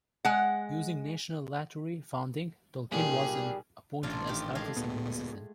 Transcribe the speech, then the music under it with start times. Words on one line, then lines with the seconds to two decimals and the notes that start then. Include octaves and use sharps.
Using National Lottery funding, Tolkien was appointed as artist in residence.
0.25 G#3 F#5
2.91 B1 A#2 G3 G#4
4.03 A1 A#2 D4 F4
4.27 D#3 G4
4.55 G#3 A3 F5
4.76 D1 A#2 B3